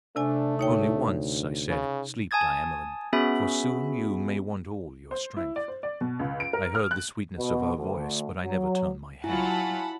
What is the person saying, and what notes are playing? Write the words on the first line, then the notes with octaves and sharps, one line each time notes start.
Only once I said, 'Sleep, Diamelen, for soon you may want all your strength.' I heard the sweetness of her voice, but I never turned my head.
C3 A3 D4 D5 G#5
D2 D#4 C#5 G5
C#3
G#5 A5 D#6 G#6 A6
B3 C#4 F#4 G#4 E5 B5
C5
E4
D5
C5
D5
B2
C#2
D7
A#4
F6
F#6
B2
D2
F#3
F#3 E4 F4 F#5 G#5 A5 B5